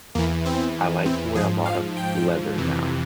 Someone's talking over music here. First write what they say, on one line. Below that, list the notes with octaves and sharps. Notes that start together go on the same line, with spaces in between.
I like to wear a lot of leather now.
E2 E3 A#3
C4
C4
F3 G#4
G#2
F5
G5
F2 C3 E3